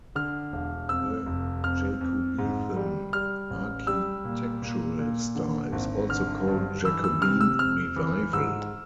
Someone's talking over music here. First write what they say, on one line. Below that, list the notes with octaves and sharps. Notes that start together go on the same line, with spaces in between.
The "Jacobethan" architectural style is also called "Jacobean Revival".
D3 F6
E1
F2 E6
F1
F2 F6
F2
G#2
G3
G3 F6
A1
G3 E6
A#2
A#2
A#2
D3
G#1
D3 F6
G2
E3 E6
E6
C3 F6
E6
F2 F6
E3
G#2 E6